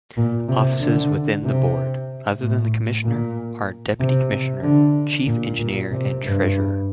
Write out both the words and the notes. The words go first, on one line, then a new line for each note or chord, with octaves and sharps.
Offices within the board, other than Commissioner, are Deputy Commissioner; Chief Engineer and Treasurer.
A#2
C3
D3
C3
A2
A#2
C3
C3
D3
A#2
A#2
C3
G2